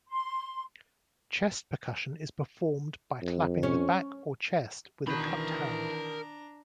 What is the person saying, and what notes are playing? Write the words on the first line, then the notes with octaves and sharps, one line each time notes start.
Chest percussion is performed by clapping the back or chest with a cupped hand.
C6
F2
C#4
B2 D#3 E3 D4 A#4 A#5 B5